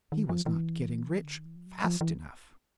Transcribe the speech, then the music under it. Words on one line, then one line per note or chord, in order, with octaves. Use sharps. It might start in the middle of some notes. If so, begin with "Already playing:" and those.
He was not getting rich fast enough.
D#3
F3
E3
D3
D#3
E3
F3
F#3
F3
E3